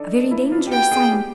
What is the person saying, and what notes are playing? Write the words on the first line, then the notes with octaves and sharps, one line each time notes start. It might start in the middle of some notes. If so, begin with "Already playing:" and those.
'A very dangerous sign!
Already playing: D4 D#4 A4
E4
F4
G4
F#4 G5
G#4
G4